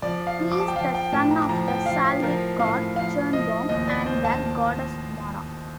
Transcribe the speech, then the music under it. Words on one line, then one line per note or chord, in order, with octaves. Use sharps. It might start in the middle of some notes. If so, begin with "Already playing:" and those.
He is the son of the Slavic god Chernobog and the goddess Mara.
F3 D5
F5
F3
D6
A5
G5
F3 F5
G5
A2 A5
A#5
F3 A#5
G5
F3 F5
F5
F3 A#4
A2 F5
F3 F5
F3 D#5
D#2 D#5
D5
D#2 C5
A5